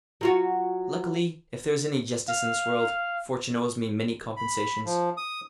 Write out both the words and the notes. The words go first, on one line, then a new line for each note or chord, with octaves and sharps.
Luckily, if there is any justice in this world, fortune owes me many compensations.
F#3 F4 F#4
F5
B5
F3
D#6